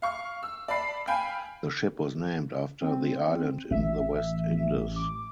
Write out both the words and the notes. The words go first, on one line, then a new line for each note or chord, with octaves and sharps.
The ship was named after the island in the West Indes.
F5 C#6
E6
D5 A5 B5 C7
F5 G5 G#5 B5
C4
A1 E5
D6